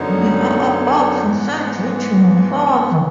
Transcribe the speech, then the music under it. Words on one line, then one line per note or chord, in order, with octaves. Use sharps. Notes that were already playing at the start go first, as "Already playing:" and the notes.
We are about to send you to your father.
Already playing: F#2 D3 F#3 B3 D#4
G#2 E3 G#3 B3